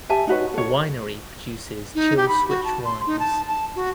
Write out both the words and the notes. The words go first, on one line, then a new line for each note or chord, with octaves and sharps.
The winery produces Chill Switch Wines.
G4 E5 G#5 A5
D#4 F#4 B4 C#5
A4 C#5
D#4
G4
B5
F#4
A5
C6
D#4
A5
A5
F#4